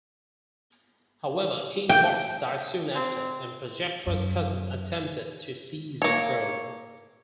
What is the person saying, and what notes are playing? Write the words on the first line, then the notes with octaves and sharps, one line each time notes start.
However, King Voxx died soon after, and Projectra's cousin attempted to seize the throne.
G5
C4
F#2
A#3 C#5